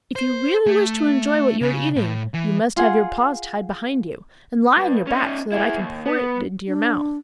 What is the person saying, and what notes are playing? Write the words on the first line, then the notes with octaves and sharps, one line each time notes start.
'If you really wish to enjoy what you are eating, you must have your paws tied behind you, and lie on your back, so that I can pour it into your mouth.'
C5
A3
C#3
A2
E3
F4 G#4 F#5
G2
C#4 D#4
E4 G#4
D#2
B3
D4